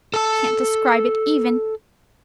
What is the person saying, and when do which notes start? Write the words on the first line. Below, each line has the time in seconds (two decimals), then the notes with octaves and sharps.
I can't describe it even....
0.14 A4 A5